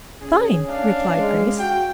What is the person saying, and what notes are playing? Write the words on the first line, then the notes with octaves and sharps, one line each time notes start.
"Fine," replied Grace.
C#4 G#4
D4 F5
G#3
F#4 G5